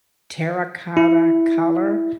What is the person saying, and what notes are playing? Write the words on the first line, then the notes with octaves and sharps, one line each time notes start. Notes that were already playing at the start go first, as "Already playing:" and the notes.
terracotta color,
E4